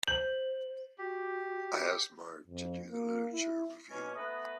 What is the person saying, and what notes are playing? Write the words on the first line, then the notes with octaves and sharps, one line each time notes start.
I asked Mark to do the literature review.
C5 G6 F#7
F#4 G4
F2
A#3
E4
B2 A#3 C#4
A3 B3 B4 A#5 D#6